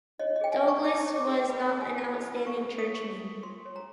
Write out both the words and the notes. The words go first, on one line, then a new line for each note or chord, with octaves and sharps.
Douglas was not an outstanding churchman.
C#5 D#5
D#5
G#4 G5
G#5
D#4
C#6
D#4 D6
C#5
D6
G#4
B4 B5
A#5
G#4
G#5
E4
A5
E4 B5
B4
C#6
G#4
C#5 D#6
C#6
A#4
F4
F4 C6
C#5
A#5